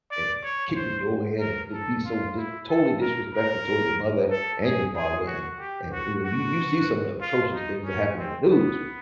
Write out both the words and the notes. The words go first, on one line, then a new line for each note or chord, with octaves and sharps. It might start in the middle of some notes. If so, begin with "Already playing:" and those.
and kick the door in and just be so dis totally disrespectful toward your mother and your father, and and, you know, you you see some of the atrocious things that happen in the news w
D5
C#5
C5
A#4
A4
F4
E4
A4
A#4
A#4
A4
G#4
G#4
F#4
G4
F#4
F#4
F4
D#4
C#4
C4
B3